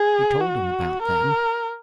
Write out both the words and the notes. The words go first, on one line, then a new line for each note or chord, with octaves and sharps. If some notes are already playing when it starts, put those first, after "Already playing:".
We told him about them.
Already playing: G#4
F#4
A#4